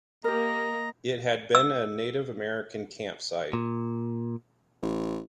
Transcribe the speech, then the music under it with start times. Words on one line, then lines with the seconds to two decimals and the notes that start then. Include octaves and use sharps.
It had been a Native American camp site.
0.24 A#3 G4 A#4 D#5 A#5
1.55 E6
3.53 A#2
4.82 A1